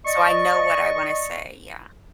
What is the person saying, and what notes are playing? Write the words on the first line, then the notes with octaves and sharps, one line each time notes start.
so I know what I wanna say, yeah.
D5 D#5 C#6